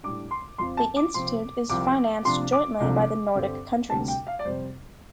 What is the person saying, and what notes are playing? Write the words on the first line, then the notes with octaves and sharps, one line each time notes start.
The institute is financed jointly by the Nordic countries.
A2 G3 D4 D6
C6
F2 F3 C4 C6
A5
D6
C3 F3 C4 C6
C2 C3 F3 C4 D6
C3 F3 D4 C6
D6
C2 C3 F3 A3 D4
G2 D3 G3 C4
D2 C3 G3 D4 A5
G5
F5
D5
F2 C3 G3 C5